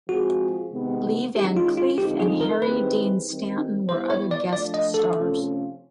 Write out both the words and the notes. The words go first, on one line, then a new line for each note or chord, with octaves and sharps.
Lee Van Cleef and Harry Dean Stanton were other guest stars.
F3 G#3 C4 F4 F#4 G#4
C3 D#3 G#3 B3
D#3 G#3 C#4 E4 G4
F4
F4
D3 F3 G#3 C4 D#4 G4
G#4
A#4
D#3 G3 C4 E4 G#4 B4
D#3 G3 C4 D#4
G3 B3 E4 C5
C#5
D5
F3 A3 D4 D5
D#5
A4
C3 F3 A3 C#4 F4